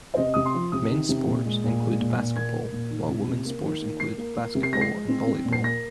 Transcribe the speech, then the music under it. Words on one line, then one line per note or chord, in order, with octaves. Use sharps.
Men's sports include basketball; while women's sports include basketball and volleyball.
C5
C3 D#5
C3 D#6
C6
F3
C3 D#6
D#3
C3
A#2
G#3
A#2
G#3
A#2
A#2
A#3 G#6
A#3
A#2
D#3
C3
C3
A#3
D#3
A#3
A#3 C7
A#3
A#3
C3
C7
G#3 A#6
C7
G#3
C4
C4
A#2
C7
A#3 A#6